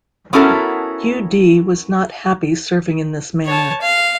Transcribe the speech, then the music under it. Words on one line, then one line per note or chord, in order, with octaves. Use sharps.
Yu Di was not happy serving in this manner.
B3 C#4 E4 F#4 A4 A#4
C#5 A5
F5